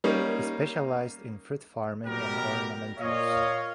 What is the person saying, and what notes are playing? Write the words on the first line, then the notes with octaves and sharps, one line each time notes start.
He specialized in fruit farming and ornamentals.
G3 A#3 C#4 D#4
B1 B2 G3 B3 G4 A#4
A#2 C#5 D#5 F5